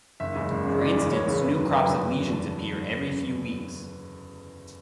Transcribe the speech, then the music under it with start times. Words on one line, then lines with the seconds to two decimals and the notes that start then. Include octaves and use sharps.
For instance, new crops of lesions appear every few weeks.
0.20 F#1 E5
0.36 E2 C#3 G#3
0.51 F#1
0.67 E2 C#3 G#3
0.81 F#1 D5
0.96 E2 C#3 G#3
1.12 F#1 C#5
1.27 E2 C#3 G#3
1.42 F#1 B4
1.57 E2 D3 F#3
1.72 F#1 B4
1.87 E2 D3 F#3
2.03 F#1
2.17 E2 D3 F#3
2.33 A5